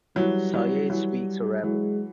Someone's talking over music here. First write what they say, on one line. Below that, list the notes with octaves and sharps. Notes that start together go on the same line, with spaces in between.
Sayegh speaks Arabic.
E3 F#3 G3
E3 F#3
E3 F#3
E3 F#3 G#3